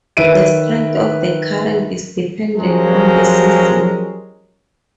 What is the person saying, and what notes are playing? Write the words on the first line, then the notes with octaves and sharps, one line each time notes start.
The strength of the current is dependent on the season.
D#3 B4 E5 D7 D#7
F3 F#3 G#3 C#4 G4 A#4